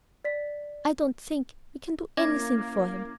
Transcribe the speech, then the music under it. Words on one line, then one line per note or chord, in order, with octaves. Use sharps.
"I don't think--we can do anything for him."
D5 B6
A#3 C#4 E4 D6 G#6 A#6